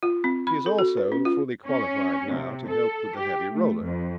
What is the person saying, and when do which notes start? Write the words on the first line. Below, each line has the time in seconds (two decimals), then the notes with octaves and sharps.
She is also fully qualified now to help with the heavy roller.
0.03 F4
0.24 C4
0.47 B5
0.66 A4
0.79 F#4
0.97 B4
1.12 C#4
1.25 F4
1.67 C#4
2.34 C3
2.68 A4
3.17 G4
3.51 A3
3.83 F2